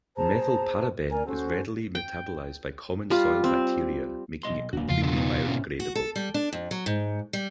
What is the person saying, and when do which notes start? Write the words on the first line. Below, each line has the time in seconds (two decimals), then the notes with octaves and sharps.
Methylparaben is readily metabolized by common soil bacteria, making it completely biodegradable.
0.16 G#4 C5 A5 A#5
1.10 A#4 D5 G#5 A#5
1.27 C#4 F#4 A4 C5
1.95 G5
3.10 G3 F4
3.44 C4
4.43 B1 D#5 C6
4.73 D1 A#3 D4 F#4
4.90 E2 C#3 F3 F4
5.02 B2 D3 F4
5.15 B3 D#4
5.47 G#2 C#4
5.80 F#4
5.95 A4
6.16 G3
6.34 D4
6.53 F2
6.71 F#3
6.86 G#2
7.33 G3